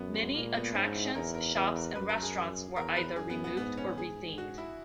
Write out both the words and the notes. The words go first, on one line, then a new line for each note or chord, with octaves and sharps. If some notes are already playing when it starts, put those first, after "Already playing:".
Many attractions, shops, and restaurants were either removed or rethemed.
Already playing: F#2 B3
G#3
A#2 A#3
B3
G#2 C#4
D#4
E4
G#4
E2 A#4
A#4
E2 B4
A#4
F#2 B4
A#4
G#4
E2 A#4
B4
F#2 G#4
B3
B3
G#2 B3
C#4
G#2 G#4
F#4
E4